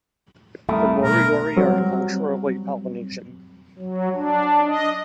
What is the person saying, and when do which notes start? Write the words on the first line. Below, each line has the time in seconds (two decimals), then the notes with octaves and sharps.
The Moriori are culturally Polynesian.
0.69 G3 A3 C4 E4 A4 A#4 D#6
1.04 B1 B2 A#4
1.57 F#3 G3 C4
3.79 F#3
4.15 D4
4.67 D#5